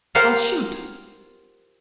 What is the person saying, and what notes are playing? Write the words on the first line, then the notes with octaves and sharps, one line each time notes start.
I'll shoot!
F4 G4 A#4 C5 F5 F#5